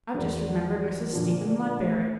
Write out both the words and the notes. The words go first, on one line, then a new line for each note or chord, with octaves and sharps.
I’ve just remembered Mrs. Stephen Ludberry.
G#1 E2
A#2 D3 F3
A3